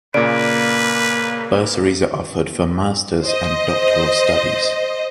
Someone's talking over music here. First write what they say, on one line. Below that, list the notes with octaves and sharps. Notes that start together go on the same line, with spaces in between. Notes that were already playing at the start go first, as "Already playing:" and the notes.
Bursaries are offered for Master's and doctoral studies.
A#2 C#3 A#3 B4 D5 D7
C5 D#5